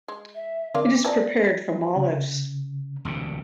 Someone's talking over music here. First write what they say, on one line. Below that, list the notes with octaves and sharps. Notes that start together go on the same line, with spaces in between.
It is prepared from olives.
G#3 C6
E5
D3 G#3 C4 A#4 F5 D6
F3 C4 G#4 D5 A5 A#5
C#3
E1 D2 C3